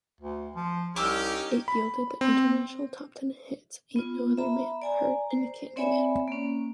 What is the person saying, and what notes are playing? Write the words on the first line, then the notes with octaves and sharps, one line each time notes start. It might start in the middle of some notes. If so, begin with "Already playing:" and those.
It yielded the international top-ten hits "Ain't No Other Man", "Hurt" and "Candyman".
D2
F3
C2 C#4 D#4 G4 D6 E6 F6
B5
C4
B3 F4
E5 A#5 B5
D5 G#5 A#5
C5
C4 C#5 D5 E5 G#5 B5
A#3 C#4